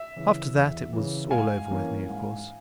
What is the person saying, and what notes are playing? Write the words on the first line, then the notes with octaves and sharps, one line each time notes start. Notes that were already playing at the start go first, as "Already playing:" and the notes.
After that it was all over with me, of course.
Already playing: E5
C#3 E3
E2
C#3 E3
G#2 F5 G#5
E3 A#3 C#4
G#2